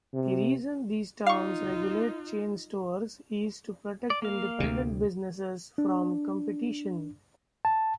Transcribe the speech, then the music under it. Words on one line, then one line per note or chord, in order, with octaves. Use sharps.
The reason these towns regulate chain stores is to protect independent businesses from competition.
C3
D#4 F4 F5 C#6
D5
A#3 F5
D2 C3
D4
A5